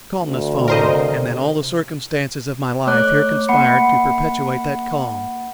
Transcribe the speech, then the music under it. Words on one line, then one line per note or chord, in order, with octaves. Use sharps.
Calmness followed, and then all the circumstances of my life here conspired to perpetuate that calm.
D2
C3 A#4 C5 D#5
A3 C#5 D6 F#6
A#3 F#5 B5 C#7